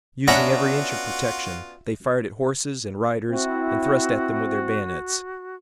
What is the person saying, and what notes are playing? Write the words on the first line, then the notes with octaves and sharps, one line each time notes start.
Using every inch of protection, they fired at horses and riders and thrust at them with their bayonets.
B3 C#4 D4 F4 F#4 E5 F#5 A#5
C4 E4 F#4